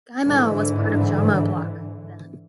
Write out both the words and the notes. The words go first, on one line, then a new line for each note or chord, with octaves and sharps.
Gaimau was part of Jamo block then.
G#2 D3 E3